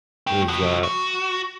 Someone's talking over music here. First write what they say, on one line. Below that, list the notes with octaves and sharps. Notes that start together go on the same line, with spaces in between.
it was that.
A3 G5
F3 F#4
F#4